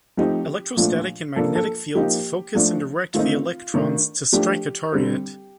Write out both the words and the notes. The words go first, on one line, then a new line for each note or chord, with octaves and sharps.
Electrostatic and magnetic fields focus and direct the electrons to strike a target.
F3 A3 C4 D#4 G4
A#2 F3 A3 D4
F3 A#3 D4 A4
A4
F3 A#3 D#4 G4
F3 A3 D4
D#3 A3 C4 D#4 F4
D#3 A3 D4
F3 A3 D4 G4
D3 G3 C4